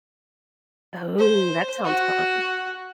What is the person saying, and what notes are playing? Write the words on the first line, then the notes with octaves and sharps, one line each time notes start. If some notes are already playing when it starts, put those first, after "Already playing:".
Oh, that sounds fun.
C5
F#4